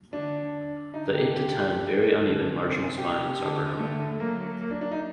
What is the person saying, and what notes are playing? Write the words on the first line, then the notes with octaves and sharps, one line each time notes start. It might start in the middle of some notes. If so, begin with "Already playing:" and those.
The eight to ten very uneven marginal spines are brown.
D3 D4
D3 D#4
G4
G4
D3
C3
G4
D3
D3 A3
F#3 A#3
A#3
A#3
D4
D4
D#4